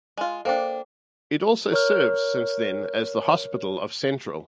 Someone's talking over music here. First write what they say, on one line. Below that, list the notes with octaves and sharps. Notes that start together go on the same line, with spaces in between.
It also serves since then as the hospital of Central.
G#3 F4
A#3 D4 A4 C5 G5
A#4 C#5 F6